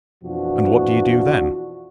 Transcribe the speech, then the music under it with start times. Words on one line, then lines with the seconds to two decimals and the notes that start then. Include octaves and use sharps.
"And what do you do then?"
0.24 F2 B2 E3 F3 D4 F#4